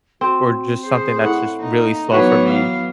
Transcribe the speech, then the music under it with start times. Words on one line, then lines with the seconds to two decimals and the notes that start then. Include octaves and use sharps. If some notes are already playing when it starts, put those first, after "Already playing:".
or just something that's just really slow for me.
0.21 C4 F#4
0.84 G#4 C5
1.24 A2 F#5
1.60 A#3 D#4
2.12 E3 F#3 B3 D#4 F#4 B4 C#5
2.48 F5